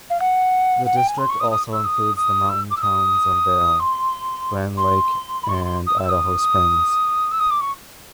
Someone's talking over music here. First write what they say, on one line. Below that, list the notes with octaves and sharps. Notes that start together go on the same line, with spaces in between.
The district also includes the mountain towns of Vail, Grand Lake and Idaho Springs.
F5
F#5
F#5
G5
G#5
C6
C#6
D#6
D#6
E6
D#6
D#6
E6
D6
E6
D#6
C6
C6
B5
C#6
C6
C6
D#6
E6
D#6
E6
D#6
D6
C#6